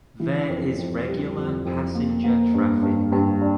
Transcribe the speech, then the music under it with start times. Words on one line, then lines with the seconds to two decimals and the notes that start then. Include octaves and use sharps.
There is regular passenger traffic.
0.20 E3
0.48 F2
0.79 F2
1.07 G3
1.36 F2
1.65 F2
1.95 A#3
2.24 A#3
2.54 G2
2.83 G2
3.12 G2
3.42 D4